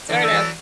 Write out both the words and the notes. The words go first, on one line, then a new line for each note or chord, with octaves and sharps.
sort of
D3 E3
A4
E3 F#3